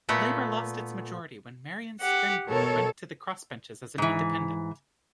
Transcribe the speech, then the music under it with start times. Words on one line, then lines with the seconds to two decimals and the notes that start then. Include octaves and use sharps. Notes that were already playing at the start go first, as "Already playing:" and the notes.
Labor lost its majority when Marion Scrymgour went to the cross-benches as an independent.
0.09 A#2 A3 B3
2.00 G4 F#5
2.50 B2 A4 A#4 C#5
3.98 G#2 E3